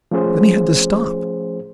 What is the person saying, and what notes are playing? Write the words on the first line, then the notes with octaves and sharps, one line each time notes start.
Then he had to stop.
F3 A3 C#4 G#4 C5